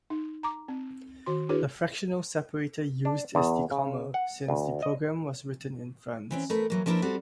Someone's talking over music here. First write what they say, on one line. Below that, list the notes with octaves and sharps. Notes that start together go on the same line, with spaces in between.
The fractional separator used is the comma, since the program was written in France.
D#4
A#5 D6
C4
D#3 F#4 C6
D4 E4 F#4 G#4 B4 C#5
D4
E2
C#3
F#5
D2
D#5
E3 C4 C#4
A3 B3 A#4 B4
E3 F#3 A#3
F3 A#3 D4 E4 A#4 B4
G3 C4 F#4 A4